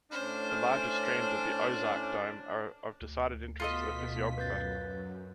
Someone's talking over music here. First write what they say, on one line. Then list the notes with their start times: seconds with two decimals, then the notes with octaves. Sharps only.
The larger streams of the Ozark dome are of decided interest to the physiographer.
0.12 A2 C#4 D4 C5 F6
3.01 D2
3.60 B2 F4 A4 D#5 C6 D#6 B6
4.38 F#2 B4 G6 A6